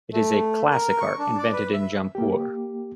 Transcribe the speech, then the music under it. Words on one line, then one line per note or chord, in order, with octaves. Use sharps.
It is a classic art invented in Jampur.
A3
A#4
C#6
D4
D5
B4
E5
A#3 G4